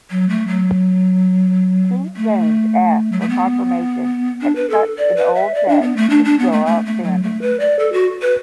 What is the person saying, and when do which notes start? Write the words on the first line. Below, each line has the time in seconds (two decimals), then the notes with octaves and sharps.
King James asked for confirmation that such an old debt was still outstanding.
0.11 F#3
0.29 A3
0.48 F#3
2.17 A3
3.12 F#3
3.20 A3
3.29 B3
4.41 D4
4.56 B4
4.70 A4
4.98 D5
5.17 B4
5.35 E5
5.54 D5
5.68 D4
5.82 B3
5.97 A3
6.10 D4
6.25 D4
6.39 B3
6.52 A3
6.66 A3
6.86 A3
7.04 F#3
7.23 A3
7.42 B4
7.60 D5
7.79 A4
7.93 F#4
8.22 B4